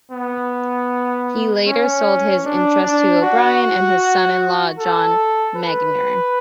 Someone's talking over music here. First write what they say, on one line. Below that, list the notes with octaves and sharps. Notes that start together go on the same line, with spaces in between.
He later sold his interest to O'Brien and his son-in-law, John Magnier.
B3
C#4
D4
D4
F#4
A4
B4